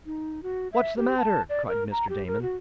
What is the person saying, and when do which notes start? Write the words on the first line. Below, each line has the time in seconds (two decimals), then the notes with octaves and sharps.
"What's the matter?" cried Mr. Damon.
0.06 D#4
0.43 F#4
0.72 E5
0.97 G4
1.17 A5
1.49 D5
1.68 A#4
1.92 A#5
2.09 G4
2.27 A#4
2.42 F#4